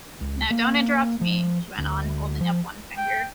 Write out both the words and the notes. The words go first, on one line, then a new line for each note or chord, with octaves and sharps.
Now don’t interrupt me!’ she went on, holding up one finger.
C#2
A#3
F3
D2
F3
G5